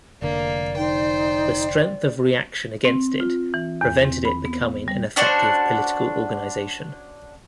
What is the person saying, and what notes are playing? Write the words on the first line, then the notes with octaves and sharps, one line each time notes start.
The strength of reaction against it prevented it becoming an effective political organisation.
F1 D3 A#3 D5
D#4 C5 G5
C4
F4
E3
E2
C4
B5
B3
G3
C#4 D4 F#4 C5